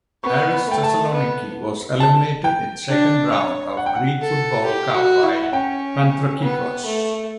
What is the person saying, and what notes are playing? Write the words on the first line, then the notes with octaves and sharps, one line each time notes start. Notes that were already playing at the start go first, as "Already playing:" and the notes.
Aris Thessaloniki was eliminated in "Second round" of Greek Football Cup by Panthrakikos.
B3 C#6
B5
A3 G5
A5
B3
A5
G5
D4
C#5
F#5
G5
F#5
A4
G4
F#4
E4
F#5
C#4 G5
B3
A3